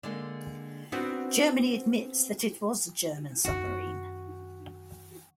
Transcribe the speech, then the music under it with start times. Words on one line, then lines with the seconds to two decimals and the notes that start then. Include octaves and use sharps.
Germany admits that it was a German submarine.
0.03 D3 G#3 A#3
0.92 B3 C4 D4 F#4 B4 C5
3.45 F#2 D#3 F#4